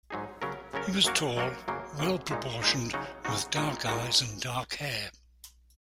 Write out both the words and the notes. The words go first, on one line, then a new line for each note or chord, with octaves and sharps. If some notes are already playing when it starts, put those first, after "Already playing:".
He was tall, well proportioned, with dark eyes and dark hair.
G#2 F#3 D#4 G#4
C#3 F#3 C#4 A#4
C#3 F#3 C#4 A#4
F#2 F#3 A#3 F#4 A#4
F#2 F#3 A#3 F#4 A#4
F#2 C#3 F#3 A#3
F#2 C#3 F#3 A#3
A#2 G#3 D#4
A#2 G#3 D#4
C#3 F#3 D#4 F#4
C#3 F#3 D#4 F#4
A#2 G#3 D#4 F#4 A#4
A#2 G#3 D#4 F#4 A#4